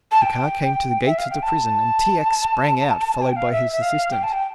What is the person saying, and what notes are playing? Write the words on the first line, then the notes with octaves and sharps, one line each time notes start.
The car came to the gates of the prison and T. X. sprang out, followed by his assistant.
A5
G5
E5
F5
G5
A5
G5
F5
E5
E5
F5
G5
A5
G5